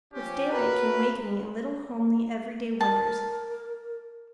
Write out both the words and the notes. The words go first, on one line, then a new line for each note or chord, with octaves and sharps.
With daylight came wakening and little homely every-day wonders.
F3 C4 C#4 G4
F#4 A#4 B4
A#4 A5